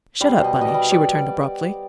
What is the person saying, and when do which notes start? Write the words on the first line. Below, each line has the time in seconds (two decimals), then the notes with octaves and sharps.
"Shut up, Bunny," she returned, abruptly.
0.21 G3 C5
0.39 B2
0.44 D#5
0.56 B2
0.61 D#5
0.68 D5
0.74 G3
0.91 G3 D5